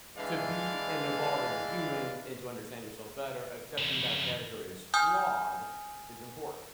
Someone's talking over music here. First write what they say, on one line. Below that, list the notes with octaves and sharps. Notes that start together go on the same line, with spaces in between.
to be and evolve as a human and to understand yourself better, accepting that character is flawed is important.
D3 E3 G#3 B4 D5 F5
F2 C#3
G#5 D#6 F6 G6